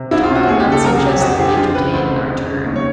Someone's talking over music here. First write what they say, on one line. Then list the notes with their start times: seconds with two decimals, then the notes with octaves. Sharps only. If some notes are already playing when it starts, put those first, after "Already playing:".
Tom did not suggest that we entertain in our turn.
Already playing: C3
0.11 C2 E4
0.23 F4
0.30 C3
0.35 F#4
0.48 D#2 G#4
0.60 G4
0.66 C#3
0.72 A4
0.84 C2 A#4
0.97 G#4
1.02 C3
1.08 G4
1.21 F2 F#4
1.30 G4
1.39 D3 G#4
1.48 G4
1.57 F2 F4
1.75 C#3 B4
1.93 D2 C5
2.05 C5
2.11 C3
2.30 F2
2.48 C#3
2.66 D#2
2.76 C#5